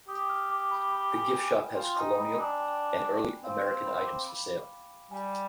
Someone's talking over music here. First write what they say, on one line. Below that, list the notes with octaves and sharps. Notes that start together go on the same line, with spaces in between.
The gift shop has colonial and early American items for sale.
G4 D#6
F6
D6
B5
B5
G#5
G#5
G5
F4 G5
D#4 G#5
D#4 B5
D4 G#5
G5
C4 F5
G5
B5
D6
B5
G3 G#5